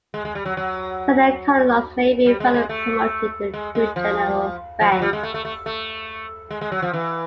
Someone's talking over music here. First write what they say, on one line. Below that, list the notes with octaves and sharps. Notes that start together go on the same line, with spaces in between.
Senior Colonels may be further promoted to general ranks.
G#3
G#3
G3
F#3
F#3
G3
G#3
G#3
A3
G#3
G#3
F3
F3
F#3
G3
G#3
A3
A3
A3
A3
G#3
G#3
F#3
F3
E3